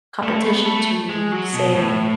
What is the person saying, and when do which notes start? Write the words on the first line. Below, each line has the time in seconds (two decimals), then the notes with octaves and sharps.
competition to say,
0.23 A3
0.45 B3
0.66 A3
1.09 G#3
1.32 F#3
1.54 B2
1.75 A2